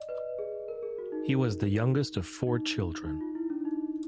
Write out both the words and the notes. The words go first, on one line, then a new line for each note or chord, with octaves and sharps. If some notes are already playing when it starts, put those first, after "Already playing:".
He was the youngest of four children.
Already playing: D5 D#5
B4
G#4
A#4
G#4
F#4
D#4
D#4
D#4
F4
E4
D4
D#4